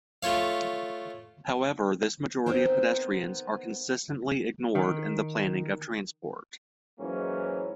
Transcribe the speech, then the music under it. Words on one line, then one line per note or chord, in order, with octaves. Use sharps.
However, this majority of pedestrians are consistently ignored in the planning of transport.
A3 F4 C#5 F5
B3 C4 D#4 A#4 C5 G5
D#3
G#2 E3 F#3 G#3 A#3 C#4